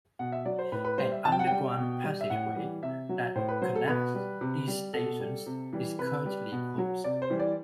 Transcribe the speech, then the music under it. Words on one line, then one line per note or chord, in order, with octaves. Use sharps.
An underground passageway that connects these stations is currently closed.
B2 F#5
E5
F#3 D5
C5
A2 B4
B4
G3 C5
E5
C3 A5
G5
F#5
G3 G5
B2
G3
E5
A2 F#5
E3 G3
C3 E5
F#3
A2 C5
B4
F#3 C5
A4
B2 B4
G3
C3
G3
B2 A4
G3
C3
E3 G3
C3 B4
G3
B2
F#3
C3 D5
C5
E3 G3
D5